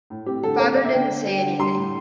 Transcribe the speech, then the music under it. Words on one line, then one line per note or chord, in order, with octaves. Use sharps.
Father didn't say anything.
A2
C4 G4
D3 A4
C4 C5
C4 D5
E5
D3 G5
D3
G3
D3
G3 C6
A2